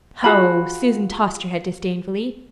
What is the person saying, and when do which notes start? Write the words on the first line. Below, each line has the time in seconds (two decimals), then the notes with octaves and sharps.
"Ho!" Susan tossed her head disdainfully.
0.24 F4 F#4 G#4 B5